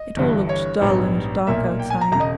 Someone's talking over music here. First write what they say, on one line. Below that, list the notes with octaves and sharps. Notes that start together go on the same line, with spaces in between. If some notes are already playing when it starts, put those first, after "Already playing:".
It all looked dull and dark outside.
Already playing: D#5
G1 G2 E3
C#5
A#1 G#2 G3 B3
B1 A#2 A#3 E5
G5
G#5
A#5
E1 C#3 A#5
D#5